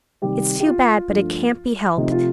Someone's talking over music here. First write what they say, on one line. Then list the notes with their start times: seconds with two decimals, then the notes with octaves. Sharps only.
It's too bad, but it can't be helped.
0.22 C3 D#3 G3 G4
0.60 G4
0.66 F4
1.09 G2 F3 A3
1.97 C3 F3 A3 D#4
2.11 F4